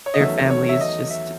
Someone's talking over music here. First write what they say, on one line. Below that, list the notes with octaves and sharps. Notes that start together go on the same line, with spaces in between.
their family is just it
C#5
D#5
E2 D#3 F#3 A3 C#4 E5
C#5
E5
D#5
E5